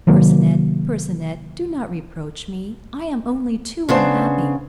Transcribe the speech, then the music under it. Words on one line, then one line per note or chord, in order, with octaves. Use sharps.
"Percinet, Percinet, do not reproach me; I am only too unhappy."
C3 D#3 F#3 A#3
C#3 B3 D4 C5